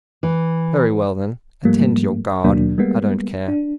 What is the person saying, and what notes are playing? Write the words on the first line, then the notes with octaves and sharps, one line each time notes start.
"Very well, then, attend to your guard; I don't care."
E3
G#2 F3 G3 A3 A#3
D#2 B2 F#3 A#3 D4
G3 G#3 A#3 B3
D4